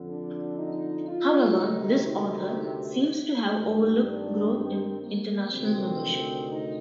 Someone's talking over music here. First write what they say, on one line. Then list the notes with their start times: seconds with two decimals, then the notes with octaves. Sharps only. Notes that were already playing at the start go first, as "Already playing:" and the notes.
However, this author seems to have overlooked growth in international membership.
Already playing: F2 D3
0.09 D4
0.58 D#4
1.07 F4
1.57 D2 C3 D#3 D#4
2.06 D#4
3.54 G2 D#3
4.04 D4
4.53 C4
5.02 A#3
5.52 D2 C3 D#3 C4
6.50 D#4